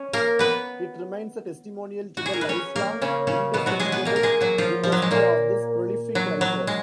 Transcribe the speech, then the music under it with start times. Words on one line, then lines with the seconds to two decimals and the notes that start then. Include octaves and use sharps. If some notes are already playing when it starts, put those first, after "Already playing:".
It remains a testimonial to the lifelong indefatigable industry of this prolific writer.
Already playing: C#4
0.13 A#3 A#4
0.39 B3 B4
2.17 F#4
2.26 G#4
2.33 A#4
2.41 B4
2.49 C#4 C#5
2.76 A#3 A#4
3.02 C#3 C#4
3.27 C#3 C#4
3.54 B2 B3
3.66 F#3 F#4
3.79 G#3 G#4
3.92 B3 B4
4.05 A#3 A#4
4.16 A#4
4.23 G#3 G#4
4.41 F#3 F#4
4.58 F3 F4
4.83 F3
4.92 F#3
5.02 G#3
5.11 A#2 A#3
6.15 F#3
6.41 F#3
6.67 G#3